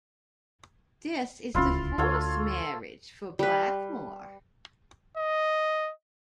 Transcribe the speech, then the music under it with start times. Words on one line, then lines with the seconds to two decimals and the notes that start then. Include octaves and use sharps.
This is the fourth marriage for Blackmore.
1.54 D1 C#2 C#4 E4 F4 C6
1.98 D2 F4 A4 C#5
3.39 G3 B4
5.17 D#5